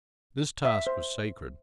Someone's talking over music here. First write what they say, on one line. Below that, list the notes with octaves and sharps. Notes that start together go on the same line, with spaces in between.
This task was sacred.
E5
C5